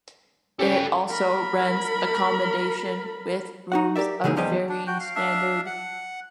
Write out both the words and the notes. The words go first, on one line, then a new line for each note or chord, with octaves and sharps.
It also rents accommodation with rooms of varying standard.
C#3 C#4 G4 A4 G5
A#4 B5
D#4 F#4 F#5
G4 A#4 D5 E5
C#3 E3 G#3 A#3 D#4
E2 F3 G3 G4 G#4 D#5
D4
F#4 G5
F5
D4 E5 F5
F#5